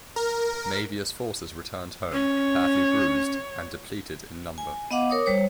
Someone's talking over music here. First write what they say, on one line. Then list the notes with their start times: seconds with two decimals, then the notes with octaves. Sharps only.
Mavia's forces returned home, badly bruised and depleted in number.
0.16 A#4
2.13 C#4 C#5
4.58 G#5
4.91 B3 D#5 F5 F#5 D6
5.10 A#4 C#5 D6 D#6
5.26 G3 C5 C#5